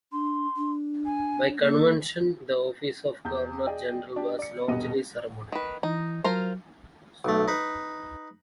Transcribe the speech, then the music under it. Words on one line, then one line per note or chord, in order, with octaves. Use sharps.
By convention, the Office of Governor-General was largely ceremonial.
D4 C6
D4
G#5
A#3 A4
E2 G6
G#4 D5 D#5 G5 G#5
D4 G4
D5 C#7
D#1 G2 B2 B3 D#5 D#7
D#3 B4
E3 D#4
F#3 F4 A#4 C5
B1 A3
D#4 B4